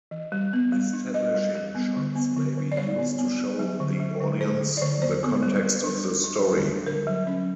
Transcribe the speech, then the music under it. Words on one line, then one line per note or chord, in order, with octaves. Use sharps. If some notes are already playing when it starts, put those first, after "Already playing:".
Establishing shots may be used to show the audience the context of the story.
E3
G3
B3
G3
D4
G3 D#5
G3
G3
B3
D3
B3
D3
D3
D5
G3 C#5
B3
B3
G3
F#3
D3
F#3
D3
D3 C5
D3
D5
D3 C#5
A#3 C5
B3
G3
G3
D4
D4
D4
G3
G3
D3 A#4
F#3
C#4